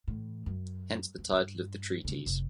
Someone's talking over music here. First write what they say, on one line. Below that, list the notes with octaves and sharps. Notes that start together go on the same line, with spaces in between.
Hence the title of the treatise.
A2 E3
F#2
E2
G2
C#3 C#4
F1 C3